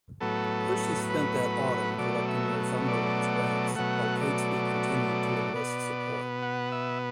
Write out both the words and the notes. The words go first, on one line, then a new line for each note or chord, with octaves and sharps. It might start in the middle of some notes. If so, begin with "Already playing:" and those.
Percy spent that Autumn collecting Northumberland's rents, while Catesby continued to enlist support.
A2 F#3 B3 A4
B4
B2 F#3 A3 D5
E5
D5
B2 F#3 A3 F#5
D5
B2 B3
F#5
E5